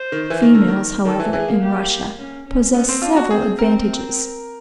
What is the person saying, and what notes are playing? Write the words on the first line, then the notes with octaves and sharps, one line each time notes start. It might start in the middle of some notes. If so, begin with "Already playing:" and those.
Females, however, in Russia, possess several advantages.
Already playing: C5
D#3
E3
D#3
A#4
D3
D#3
D#3 A4
E3
E3 G#4
A#3
G4
C#4
C#4
B3 C#4
C4
D4 F4
F#4
C4 G#4
C4 A#4